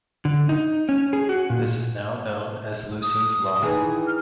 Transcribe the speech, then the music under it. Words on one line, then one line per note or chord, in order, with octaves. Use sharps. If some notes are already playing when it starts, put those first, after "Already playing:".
This is now known as Lusser's Law.
D3
D#4
C#4
G#4
F#4
A#2
D#6
D#3 E3 G#4
F6